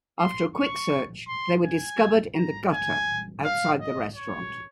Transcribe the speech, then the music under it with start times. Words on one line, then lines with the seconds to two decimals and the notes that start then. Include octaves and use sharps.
After a quick search, they were discovered in the gutter outside the restaurant.
0.19 C6
0.55 C#6
1.28 C6
1.64 G#5
2.36 A#5
2.72 G#5
3.44 F5
3.80 D#5
4.16 C#5